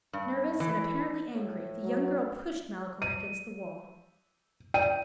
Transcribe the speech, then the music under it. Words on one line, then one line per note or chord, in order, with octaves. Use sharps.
Nervous and, apparently, angry, the young girl pushed Malicorne against the wall.
G2
E3
A2
F#3
D#7
D5 G5 D#7